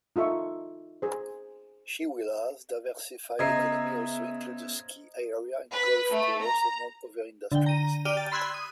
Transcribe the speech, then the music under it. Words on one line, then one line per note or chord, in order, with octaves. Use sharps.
Chewelah's diversified economy also includes a ski area and golf course, among other industries.
D#4 F4 A4 E5 C#6
G#4 C5
C#3 B3 C5 D#5 E5 A#5 G#6 C7
B4
A3
A#5
D3 G5
A#5 D#7
G4 D5 G5 F6 D#7 G7
A6
B5 C6 E6 F#6 G#6
D#6